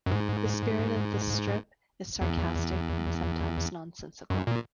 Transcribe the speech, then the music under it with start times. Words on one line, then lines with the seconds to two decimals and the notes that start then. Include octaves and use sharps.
The spirit of the strip is sarcastic, and sometimes nonsensical.
0.06 F#2
0.11 G#2
2.21 E2
4.30 F#2
4.47 A#2